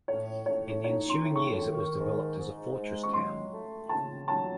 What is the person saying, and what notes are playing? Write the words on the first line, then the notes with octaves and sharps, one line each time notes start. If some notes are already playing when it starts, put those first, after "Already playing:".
In the ensuing years it was developed as a fortress town.
A2 C#5
A2 C#5
D#4 C#5
C6
A2
C#6
D#3
G#2
G#2
G#3
C#6
F#3 C6
A3
C#3 A5
F#3 A5